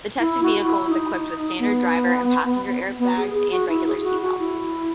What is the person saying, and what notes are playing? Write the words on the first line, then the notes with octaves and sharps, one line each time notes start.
The tested vehicle was equipped with standard driver and passenger airbags and regular seatbelts.
E4
F#4
E4
D#4
B3
B3
G#4
G#4
F#4
E4
G#4
F#4
F#4
E4